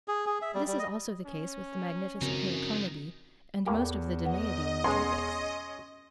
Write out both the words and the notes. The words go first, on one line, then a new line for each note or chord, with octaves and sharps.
This is also the case with the magnificent Heliconidae, and most of the Danaidae in the tropics.
G#4
G#4
E5
G3
G3
D#5
C#4
F#2 C#3 F3 C4 D#4
E2 A2 A#3 G4
B3 D#5
B1 G#3 C#4 C6